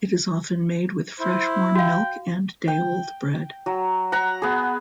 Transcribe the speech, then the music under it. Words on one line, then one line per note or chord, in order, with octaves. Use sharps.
It is often made with fresh warm milk and day-old bread.
E4 C5
F#4 F5 G5
G5
F#3
F#5 A#5
B3 G#4